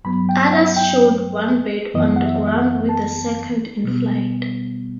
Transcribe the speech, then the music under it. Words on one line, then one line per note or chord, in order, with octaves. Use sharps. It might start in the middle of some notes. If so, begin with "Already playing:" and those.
Others showed one bird on the ground with the second in flight.
G2 F#3 B3 B5
G5
F#5
G5
F#2 E3 B3 D#5
F#5
E5
E5
F#5
A5
B2 G3 B3